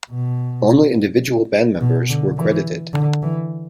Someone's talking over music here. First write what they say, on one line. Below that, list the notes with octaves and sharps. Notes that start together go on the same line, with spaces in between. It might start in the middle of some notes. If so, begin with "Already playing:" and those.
Only individual band members were credited.
B2
B2
D3
E3
D3
E3